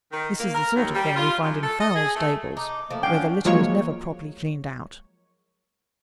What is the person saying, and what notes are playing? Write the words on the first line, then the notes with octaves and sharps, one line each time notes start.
This is the sort of thing we find in foul stables, where the litter is never properly cleaned out.
D#3
A#3
A#4
D#2
G3
F4
F#2
A4
D#5
G#4
A3
D#4 D6
F3 A3 A#3
C#4 D4 F5 G5
F3 F#3 G#3 A#3 C#5